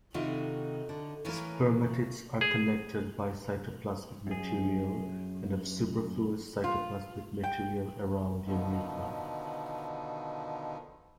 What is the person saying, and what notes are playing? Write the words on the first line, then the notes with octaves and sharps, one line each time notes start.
Spermatids are connected by cytoplasmic material and have superfluous cytoplasmic material around their nuclei.
A2 C3 D#3 D#4 F4 F#4
D3
A2 E3 A#3 C#4 A#4
G#4
F#2 G#4
F4
G5
B2 D3 D#3 F3